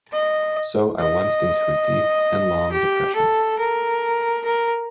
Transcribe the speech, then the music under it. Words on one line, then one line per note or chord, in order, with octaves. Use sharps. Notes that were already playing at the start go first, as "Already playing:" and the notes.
So I went into a deep and long depression.
D#5
D#5
G4
A4
A#4
A#4